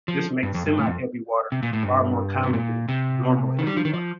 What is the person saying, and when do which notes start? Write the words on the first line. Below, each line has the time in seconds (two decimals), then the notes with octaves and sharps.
This makes semiheavy water far more common than "normal" heavy water.
0.08 F3
0.43 G2
0.54 F2
0.66 G2
0.77 A2
0.87 F2
1.52 C3
1.63 A#2
1.73 A2
1.83 G2
2.43 C3
2.53 A#2
2.88 C3
3.59 D#3
3.67 G3
3.77 F3
3.85 D#3
3.94 F3